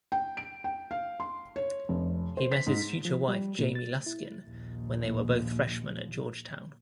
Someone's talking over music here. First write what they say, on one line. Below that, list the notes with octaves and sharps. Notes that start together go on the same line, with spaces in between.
He met his future wife, Jamie Luskin, when they were both freshmen at Georgetown.
G5
D7
G5
F5
C6
C#5
F1
C5
B6
G#2
F3
G3
A#2
A6
E4
A#1 D#2